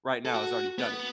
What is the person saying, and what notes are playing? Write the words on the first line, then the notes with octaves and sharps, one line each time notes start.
right now has already done it.
A4
F#4
B3